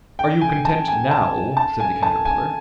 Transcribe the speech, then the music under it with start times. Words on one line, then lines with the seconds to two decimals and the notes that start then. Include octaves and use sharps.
'Are you content now?' said the Caterpillar.
0.19 G5
0.41 G#5
0.65 A5
0.88 G#5
1.11 A5
1.57 A5
1.80 G#5
2.03 A5
2.25 G#5